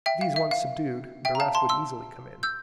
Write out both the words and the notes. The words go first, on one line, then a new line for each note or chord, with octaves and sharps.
These once subdued, the rest would easily come in.
E5 G5
F5
E5
F5
E5 G5
A#5
F5 A5
A5 C6
C6 E6
E6 G6